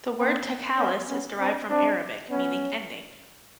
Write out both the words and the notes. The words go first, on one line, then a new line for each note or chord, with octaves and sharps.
The word "takhallus" is derived from Arabic, meaning "ending".
A#3 C4
B3 C#4
B3 C#4
C4 D4
C4 D4
B3 C#4